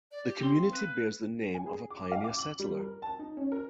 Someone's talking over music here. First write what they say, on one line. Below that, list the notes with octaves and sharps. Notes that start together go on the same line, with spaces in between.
The community bears the name of a pioneer settler.
D5
G4
C4 C6
F5
B4
G#5
G#4
D6
F5
D6
F#7
G3
A#4
A5
D#4
C#4
A#4